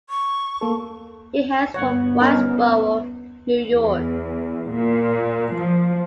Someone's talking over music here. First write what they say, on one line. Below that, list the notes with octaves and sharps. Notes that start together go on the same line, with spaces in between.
He hails from Whitesboro, New York.
C#6
A#3 A4
G1 B3 C#5 F#5
C#4 D#4 A#4
E2
A#2
F3